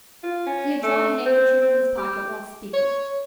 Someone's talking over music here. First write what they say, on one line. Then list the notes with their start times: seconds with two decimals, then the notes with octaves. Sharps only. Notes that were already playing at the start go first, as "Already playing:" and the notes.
He had drawn a handkerchief from his pocket while speaking.
0.23 F4
0.46 C#4
0.83 A3
1.25 C4
1.62 C4
1.97 G4
2.74 C#5